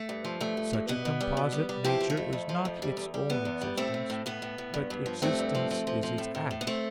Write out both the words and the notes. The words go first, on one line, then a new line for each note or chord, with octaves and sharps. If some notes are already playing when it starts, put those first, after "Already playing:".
Such a composite nature is not its own existence but existence is its act.
Already playing: A3
G2
F3
G2 A3
F3
G2
B2 B3
B2
G3
B2
G3
G3
F3 E4 G4
F3
A3
F2
F2
F3
F2
G3
E2
G3
E2 B3
E2
G3
A2 A3 C4
A2
A2
A2 B3
A2
A2
G2
G2
F3
G2 A3 C4
G2
F3
F3
F3
F3
A2
A2
A2
B3
A3 C4